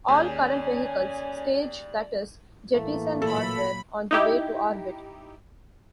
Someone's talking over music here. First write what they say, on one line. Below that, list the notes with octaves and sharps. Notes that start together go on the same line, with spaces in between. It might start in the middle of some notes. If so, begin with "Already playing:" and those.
All current vehicles "stage", that is, jettison hardware on the way to orbit.
D#2 C#4 G#4 D5 G#5 G6
A2 E3 A3 A#3
A#2 F#3 A4 B5
D#4 E4 G4